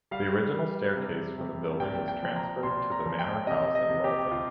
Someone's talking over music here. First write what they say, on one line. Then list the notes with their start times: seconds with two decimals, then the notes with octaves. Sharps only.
The original staircase from the building was transferred to the Manor House in Welton.
0.11 G3 F5
0.53 G3
0.96 C3
1.38 C3
1.80 A#2 G5
2.08 G5
2.22 F3
2.36 A#5
2.63 A#2 C6
2.92 A#5
3.06 F3
3.19 G5
3.47 C3 D#5
3.75 D#5
3.89 C3
4.04 G4
4.31 C3 F4